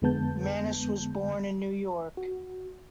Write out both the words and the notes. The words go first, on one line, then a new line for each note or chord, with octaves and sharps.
Manus was born in New York.
F2 D3 G#3 B3 A5 G6
F#4